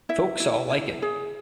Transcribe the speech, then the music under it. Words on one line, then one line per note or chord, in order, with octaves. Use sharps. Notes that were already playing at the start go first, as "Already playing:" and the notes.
Folks all like it.
E4 E5
E4
E4
G#4